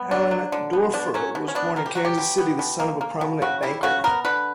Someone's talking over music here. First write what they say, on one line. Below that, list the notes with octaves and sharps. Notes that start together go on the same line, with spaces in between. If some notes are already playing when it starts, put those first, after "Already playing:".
Allendoerfer was born in Kansas City, the son of a prominent banker.
Already playing: B3
D3 D4
F#3
D3
B3
B2 D4
F#3 C#4
B2
C#4
B3 D4
B2 A#4
G4
F#3 F#4
G4
B2
B3
B2
A#3
A#3
B2
C#3 F#4
G3 E4
C#3 F#4
B3 A#4
D3 B4